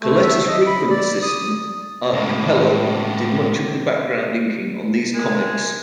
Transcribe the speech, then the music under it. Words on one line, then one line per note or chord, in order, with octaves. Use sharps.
Colletta's frequent assistant Art Cappello did much of the background inking on these comics.
A3
E5
D#5
B5
D5
D#6
C#2 A2
G#3 A#4